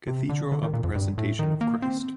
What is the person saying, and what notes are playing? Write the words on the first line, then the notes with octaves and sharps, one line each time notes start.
Cathedral of the presentation of Christ.
C3
D3
D3
D#3
A#2
F2
G2
A2
D#3
A#3
C4